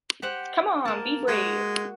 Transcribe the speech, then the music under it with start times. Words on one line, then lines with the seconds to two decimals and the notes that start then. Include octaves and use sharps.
Come on, be brave!
0.22 G4 C5 F#5
0.85 A#3 A5
1.28 G#3 F#4